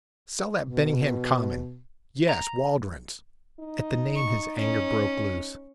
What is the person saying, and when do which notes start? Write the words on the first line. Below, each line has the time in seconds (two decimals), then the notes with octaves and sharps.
Sell that Benningham Common--yes, Waldron's.' At the name his anger broke loose.
0.62 B2
2.29 A#5
3.60 D#4
4.15 C#6
4.56 C#4